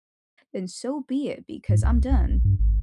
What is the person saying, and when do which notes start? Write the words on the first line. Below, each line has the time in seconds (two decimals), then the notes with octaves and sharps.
then so be it, because I'm done.
1.69 G#2
1.84 C2
2.11 B1
2.30 A#1
2.45 G2
2.59 G#1